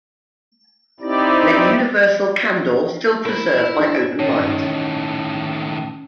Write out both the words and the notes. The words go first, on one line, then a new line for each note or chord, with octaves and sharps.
Let universal candor still preserve my open mind.
C4 D#4 E4 G4 D5
E4 A#4 C5 B5
F#3 D4 G#4
A2 D#3 C#4 C#5